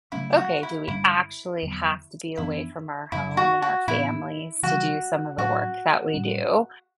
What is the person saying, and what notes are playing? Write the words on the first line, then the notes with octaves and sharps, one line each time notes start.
okay, do we actually have to be away from our home and our families to do some of the work that we do?
C#3 F#3 A3 C#4 E4
F#4
E4
G2 D3 G3 C#4 E4
E2 D3 F#3
F#2 E3 B3 D4 E4
F#2 C#3 F#3 E4
F#4
F#4
A2 E3 B3 D4 E4
C#3 E3 G3 F#4
A2 F#3 C#4 F#4
A2 G3 C#4